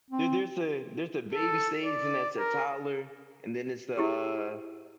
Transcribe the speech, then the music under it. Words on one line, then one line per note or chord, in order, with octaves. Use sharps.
there there's a there's a baby stage and there's a toddler, and then it's the, uh
C4
A4
D5
A#4
E4 G4 G#4